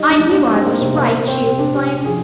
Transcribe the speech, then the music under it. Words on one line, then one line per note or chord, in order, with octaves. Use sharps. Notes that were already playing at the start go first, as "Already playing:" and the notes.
"I knew I was right!" she exclaimed.
Already playing: G3 D#4
D4
G3
D4
G3 C4
A#3
C3 C4
A#3
C3
C4
C3 C4
D4
C3 G4
F3 G#4